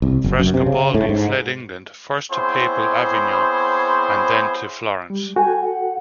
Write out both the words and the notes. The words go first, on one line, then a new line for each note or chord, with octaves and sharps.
Frescobaldi fled England, first to Papal Avignon and then to Florence.
C2
F#1
F#2
C3
C#3
A2
G#2
B3 C4 E4 G#4 C5 C#5
G3
F#4 A4 G5 G#5
F#5